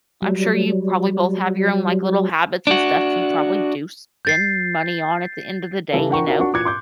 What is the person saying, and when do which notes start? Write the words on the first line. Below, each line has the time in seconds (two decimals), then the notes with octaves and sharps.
I'm sure you probably both have your own, like, little habits and stuff you probably do spend money on, at the end of the day, you know?
0.22 F#3 G3
2.67 D4 F#4
4.25 G6 A6 C7
5.92 C#3 E3 G3 E4 A4
6.10 D4 A#4 F#5 G5 A#5 C#6
6.26 D#4 F4 F#4 A#4 C#5
6.40 D4 F#4 F#5 C#6
6.53 A#2 E3 D6 F#6 G#6 C#7
6.65 C6 D6 G6